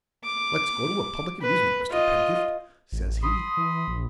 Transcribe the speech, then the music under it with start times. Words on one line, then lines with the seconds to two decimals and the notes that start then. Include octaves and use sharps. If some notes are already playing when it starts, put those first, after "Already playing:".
'Let's go to a public amusement, Mr. Pedgift,' says he.
0.24 D6
1.41 B4
1.90 F4 D#5
2.92 A1
3.22 B5 C6 D#6
3.57 E3
3.88 A#1